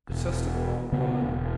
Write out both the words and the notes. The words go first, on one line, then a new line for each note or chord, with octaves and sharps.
Detestable old woman!
E1
C#3 B3
E1